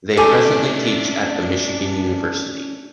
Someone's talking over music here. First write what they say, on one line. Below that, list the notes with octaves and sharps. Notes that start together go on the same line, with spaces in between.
They presently teach at the Michigan University.
A3 C#4 D4 G4 A4 G#5